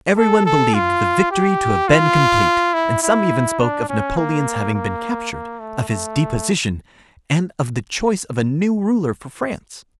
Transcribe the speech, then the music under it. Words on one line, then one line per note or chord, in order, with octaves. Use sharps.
Everyone believed the victory to have been complete, and some even spoke of Napoleon's having been captured, of his deposition, and of the choice of a new ruler for France.
A4
A4
F4
G4
F4
E4
E4
D4
C#4
A#3
A#3
A#3
A3
A3